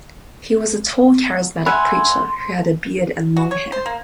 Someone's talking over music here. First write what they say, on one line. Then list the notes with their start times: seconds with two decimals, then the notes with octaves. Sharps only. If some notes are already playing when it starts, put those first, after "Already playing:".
He was a tall, charismatic preacher who had a beard and long hair.
1.66 E5 F#5 G#5 B5 C6
3.37 F#4
3.51 C#5
3.72 C5
3.86 A#3